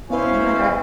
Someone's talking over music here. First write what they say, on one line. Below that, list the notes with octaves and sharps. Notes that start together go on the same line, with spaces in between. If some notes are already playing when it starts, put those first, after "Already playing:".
Oh my go
B2 B3 C#4 E4 B4 C5 F5